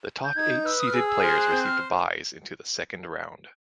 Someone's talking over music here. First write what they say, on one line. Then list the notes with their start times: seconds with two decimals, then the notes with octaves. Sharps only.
The top eight seeded players received byes into the second round.
0.24 G6
0.36 D#4 G#6
0.50 G6
0.65 B4 E6
0.80 D#6
0.87 F6
0.93 G#4 E6
1.08 E6
1.23 C5 F6
1.37 F#6
1.51 C4 G6
1.60 F#6
1.65 F6